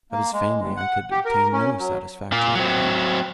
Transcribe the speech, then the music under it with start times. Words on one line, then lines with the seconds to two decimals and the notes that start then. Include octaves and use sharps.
Of his family I could obtain no satisfactory account.
0.12 A#3
0.33 G#3
0.61 G2
0.77 F#5
1.11 G4
1.25 A#4
1.53 C#4
1.79 F#3
2.32 A#2 A#3
2.55 F#3 C4